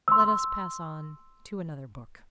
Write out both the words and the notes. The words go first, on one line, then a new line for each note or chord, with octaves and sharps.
Let us pass on to another book.
C6 E6